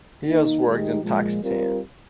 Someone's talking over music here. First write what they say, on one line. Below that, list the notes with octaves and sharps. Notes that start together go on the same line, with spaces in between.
He has worked in Pakistan.
D#3 A#3 D#4
D#3 G#3 D#4 G4
A#2 F3 G#3
G3 C4 F4 A#4